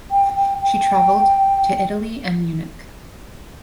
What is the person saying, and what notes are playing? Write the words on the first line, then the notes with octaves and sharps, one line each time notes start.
She traveled to Italy and Munich.
G5
G5
G5